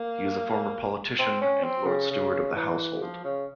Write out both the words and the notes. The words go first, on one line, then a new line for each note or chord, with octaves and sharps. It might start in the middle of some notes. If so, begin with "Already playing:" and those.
He is a former politician and Lord Steward of the Household.
Already playing: A#3
C4
C#4
C4
C#3
C#3
E3
F3
C#3